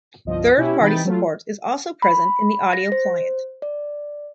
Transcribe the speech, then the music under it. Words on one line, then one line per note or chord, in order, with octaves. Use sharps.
Third-party support is also present in the audio client.
G1 C2 F3 D#5
B2 C#4 E4 G4
C3 E3 D#4 G5 B5 A6
F#3 A3 F4
B5
A#6
C5
D5